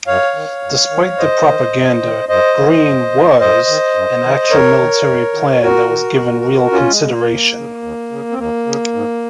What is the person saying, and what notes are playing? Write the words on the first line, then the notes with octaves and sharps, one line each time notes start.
Despite the propaganda, Green "was" an actual military plan that was given real consideration.
F#2 C#5 F5
D#3
F#2
D#3
F#2 C5 D#5
D#3
F#2
D#3
F#2 C5 D#5
D#3
F#2
D#3
F#2 C5 D#5
D#3
F#2
D#3
F2 A#4 C#5
D#3
F2
D#3
F2 F#4 A#4
D#3
F2
D#3
D#2 C#4 F4
G#3
C#3
A#3
D#2
C#3
D#2
C#3
C4
D#2 A#3
C#3
G#2